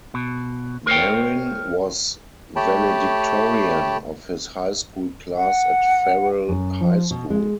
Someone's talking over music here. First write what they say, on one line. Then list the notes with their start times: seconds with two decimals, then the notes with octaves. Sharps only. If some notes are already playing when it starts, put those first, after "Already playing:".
Marin was valedictorian of his high school class at Farrell High School.
0.14 B2
0.87 A#4 C5 C#5 G5
2.56 A3 G4 C#5 G5 A5 B5
5.36 F#5
6.48 F#2
6.81 F3
7.11 B2
7.30 G#3